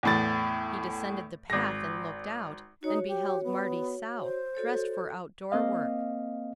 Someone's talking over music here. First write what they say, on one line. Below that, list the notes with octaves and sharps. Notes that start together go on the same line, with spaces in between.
He descended the path and looked out, and beheld Marty South, dressed for out-door work.
E2 A2 A6
G#1 A#6
D#4 F#4 C#5
G4
B3
C5
F#4 A4 C#5
A#3 C4 D#5 F5